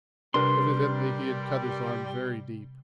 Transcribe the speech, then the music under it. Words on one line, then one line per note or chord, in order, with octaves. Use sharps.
Evidently he had cut his arm very deep.
C3 G3 D4 A#4 B4 C6